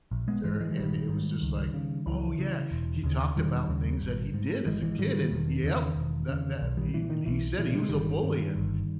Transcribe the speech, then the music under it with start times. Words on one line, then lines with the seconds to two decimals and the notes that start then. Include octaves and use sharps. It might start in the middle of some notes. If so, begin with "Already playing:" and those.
pastor, and it was just like, oh, yeah, he talked about things that he did as a kid and yep. That that he and he said he was a bully and,
0.11 A#1
0.28 G#3 B3
0.44 G#2 E3 G#3
0.61 E3 G#3
0.71 E3
0.76 A#1 D#3 G3
1.09 G#2
1.42 C#2
1.74 C#3
2.06 C#2 E3
2.39 C#3
2.71 E1
3.04 D#2 C#3
3.36 E1 D#3 G3
3.69 D#2 C#3
4.01 G#1
4.34 G#2
4.66 G#1 E3 G#3
4.83 E3 G#3
4.98 G#2 D#3 G3
5.14 D#3 G3
5.31 E1 D#3
5.64 E2 C#3
5.96 E1
6.28 E2 C#3
6.61 B1
6.77 D#3 G3
6.94 A#2 E3
7.10 D#3
7.26 B1 E3
7.58 A#2 E3
7.75 G3
7.82 G#3
7.89 G1 D#3 G3
8.23 G2
8.56 G1